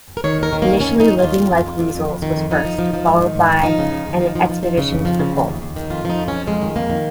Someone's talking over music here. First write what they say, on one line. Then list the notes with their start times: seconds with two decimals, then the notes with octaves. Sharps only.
Initially "Living Like Weasels" was first, followed by "An Expedition to the Pole".
0.17 A#4
0.24 D#3 C#5
0.38 D#2 A#4
0.53 D#3
0.62 D#2 A#3
0.81 D#2 C#4
0.95 D#2 D#4
1.10 D#2
1.18 F4
1.24 D#2
1.37 F2
1.51 F2
1.66 F2
1.80 F2
1.94 F2
2.09 F2
2.22 D#3
2.37 F2
2.51 F3 D#4
2.65 F3
2.79 F3
2.94 F3
3.07 G#2
3.21 D#3
3.35 G#2
3.50 D#3
3.64 F3 D#4
3.79 C#3
3.92 F3
4.07 D#2
4.21 F3
4.35 F3
4.50 F3
4.63 F3
4.78 C#3
4.91 F2
5.05 F3
5.19 C#3
5.34 D#2
5.48 D#2
5.62 D#2
5.76 D#3
5.90 F2 F4
6.05 F3 D#4
6.19 F2
6.28 F3 C#4
6.47 F2 G#3
6.62 D#3
6.76 F2 A#3
6.90 D#3